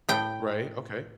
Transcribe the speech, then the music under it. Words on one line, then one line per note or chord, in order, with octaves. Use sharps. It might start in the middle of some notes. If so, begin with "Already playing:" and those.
Right, okay.
A2 G5